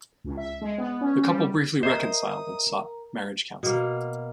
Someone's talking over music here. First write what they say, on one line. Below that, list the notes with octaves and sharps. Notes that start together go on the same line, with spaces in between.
The couple briefly reconciled and sought marriage counselling.
C#2
E5
G#3
B3
C#4
G3
A#4 C5 D#5 E5 A#5 D#6
B2 A#3